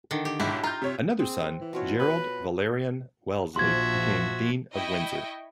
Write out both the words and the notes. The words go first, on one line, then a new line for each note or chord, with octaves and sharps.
Another son, Gerald Valerian Wellesley, became Dean of Windsor.
D3 D#3
G4
B1 G#2 E4
F4 A#5 G6
C3 C#5
C4 G#4
E3
B2 F4 C#5
B4
A#1 F3 F#4 E5 C6 G#6
E4 D#5 G5 C#6